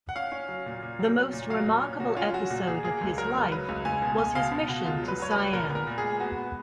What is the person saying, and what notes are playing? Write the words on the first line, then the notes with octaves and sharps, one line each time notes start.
The most remarkable episode of his life was his mission to Siam.
F#5
C#4 F5
C#4
F#3
A#2
A#2
F#3
C#4
A#2
F#3 F5
A#2
C#4
A#2 F#4
C#4 F4
F#3 F#4
A#2 F#4
A#2 G#4
A#3 G#4
C#2
F#3 A#4
C#2
F#3 B4
C#2
C#2 G#5
B2
C#2 G#5
B2 F5
B2
B2 F#4
C#2 F4
F#3
B4
F#3 C#5
B4
C#2
A#2 A#4
B3
A#4
A#2
G#4
G#3
B3 F#4
B3